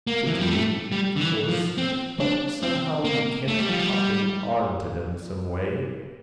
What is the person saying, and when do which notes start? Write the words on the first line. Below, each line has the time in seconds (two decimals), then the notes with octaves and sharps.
Pity, of course: but somehow you can't cotton on to them someway.
0.07 A#3
0.26 E3
0.34 F3
0.41 G3
0.49 A3
0.92 G3
1.16 D3
1.21 E3
1.49 F3
1.78 C4
2.20 D4
2.63 C4
3.05 A#3
3.48 A3
3.58 G3
3.68 F3
3.79 G3